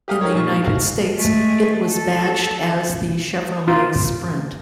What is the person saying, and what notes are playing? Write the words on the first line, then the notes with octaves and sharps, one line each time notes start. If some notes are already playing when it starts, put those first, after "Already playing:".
In the United States, it was badged as the Chevrolet Sprint.
G4 G#4 F5 D#6 F6
D#4 G4 A#4 C#5
A#2 C#6
G#2
F#4 F5 F#5
G#3 A3
A4
F4